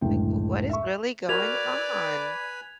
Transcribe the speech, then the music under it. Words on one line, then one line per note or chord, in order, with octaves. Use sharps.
Like, what is really going on?
F#1 D2 A2 G#3 G5
E5 C#6
F#4 A#4 B4 D5 G#5 B5 G#6 F7